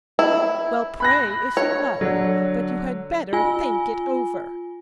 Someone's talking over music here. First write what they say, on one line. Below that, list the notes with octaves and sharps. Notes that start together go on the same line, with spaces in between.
Well, pray if you like, but you had better think it over.
E4
B5 F#6 A#6
C#5
D3 F#3
F4 G#5